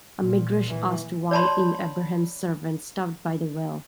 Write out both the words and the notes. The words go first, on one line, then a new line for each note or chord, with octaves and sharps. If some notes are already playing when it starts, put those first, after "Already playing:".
A Midrash asked why, in Abraham's servant stopped by the well.
A#2
E3
C#5 D5 A5 B5 C6